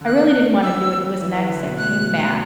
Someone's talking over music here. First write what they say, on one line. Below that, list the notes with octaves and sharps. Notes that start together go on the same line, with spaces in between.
I really didn't wanna do it, it was an ex that came back
D3
E3 F#6
E6
E3
E3
D3
B2
A2 F#6